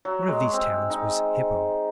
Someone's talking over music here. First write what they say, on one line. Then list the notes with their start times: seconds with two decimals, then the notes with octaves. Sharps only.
One of these towns was Hippo.
0.05 F#3
0.28 G#3
0.53 C4
0.90 D#4